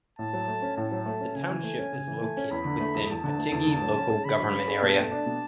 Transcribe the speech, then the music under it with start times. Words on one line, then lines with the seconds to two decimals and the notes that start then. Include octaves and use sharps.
The township is located within Patigi Local Government Area.
0.19 A2 A5
0.33 F#3
0.48 A3
0.62 C#4
0.77 A2 A5
0.92 F#3
1.06 A3
1.20 C#4
1.35 C#3 G#5
1.49 E3
1.63 A3
1.78 C#4
1.93 C#3
2.07 E3
2.21 A3
2.37 C#4
2.50 E2 B5
2.65 D3
2.80 A3
2.94 E2
3.09 E2 A5
3.24 D3
3.38 A3
3.52 E2
3.67 D3
3.82 F#3
3.95 C#4
4.10 G#4
4.25 D3 B5
4.40 F#3
4.53 C#4
4.68 G#4
4.82 B2 A5
4.98 A3
5.11 D4
5.26 B2